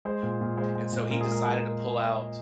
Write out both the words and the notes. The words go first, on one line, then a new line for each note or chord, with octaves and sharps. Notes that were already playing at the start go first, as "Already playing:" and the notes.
and so, he decided to pull out
G#3 C5
A#2
A#2
G#3 C5
G#3
A#2
A#2 A#4
G#4
G#3 A#4
G#3